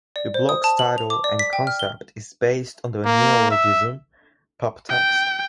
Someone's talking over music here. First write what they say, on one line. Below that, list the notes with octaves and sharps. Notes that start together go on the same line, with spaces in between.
The blog's title and concept is based on the neologism "Poptext".
D5
C5
D#6
A5
F#7
F7
D6
D5
B6
G5
F6
G7
A#3
E5
G5